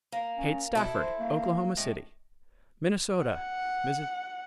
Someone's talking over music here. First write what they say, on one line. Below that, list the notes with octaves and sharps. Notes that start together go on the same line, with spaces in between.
Kate Stafford, Oklahoma City. Minnesota-Mrs.
A#3
C#4
B2 E4 A4
C5
A#3
A2 G#3
F#5